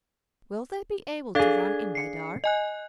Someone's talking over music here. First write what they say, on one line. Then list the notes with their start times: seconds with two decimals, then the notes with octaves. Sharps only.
"Will they be able to run in by dark?"
1.35 D4 G#4 A4 F5 G#6
1.95 C7 C#7
2.44 D#5 G#5 F#6